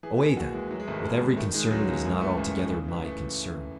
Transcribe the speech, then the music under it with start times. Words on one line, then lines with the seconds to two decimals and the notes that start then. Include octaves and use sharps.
Away, then, with every concern that is not altogether my concern!
0.03 E3 G#4
0.20 D#2 G#4
0.37 D#2 F#4
0.53 E3 G#3
0.71 E3 F#3
0.80 G#3
0.87 G#1 A3
0.96 F#3
1.05 G#1
1.20 G#1
1.37 D#3 A3
1.54 D#3 G#3
1.71 C#2 F#3
1.88 C#2
2.05 F#2 G#3
2.21 E3 A3
2.38 G#1
2.54 F#2
2.72 C#3
2.88 E3
3.05 E3 A3